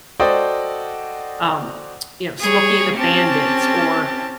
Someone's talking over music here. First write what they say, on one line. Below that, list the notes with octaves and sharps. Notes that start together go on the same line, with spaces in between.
um, you know, Smokey and the Bandits or,
F#4 A4 C5 D5 D#5 G5
G3 G#4 C#5
C4 C#4 G4 A5